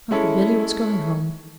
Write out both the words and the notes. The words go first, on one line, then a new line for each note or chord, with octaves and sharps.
Uncle Billy was going home.
G#3 C#4 E4 A4